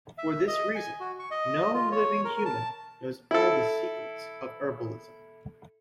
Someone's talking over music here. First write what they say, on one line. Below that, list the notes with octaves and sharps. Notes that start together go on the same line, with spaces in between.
For this reason, no living human knows all the secrets of herbalism.
E5
D#5
G#5
F#4
C#6
D#5
F4
C#5
A#4
A5
E4 A4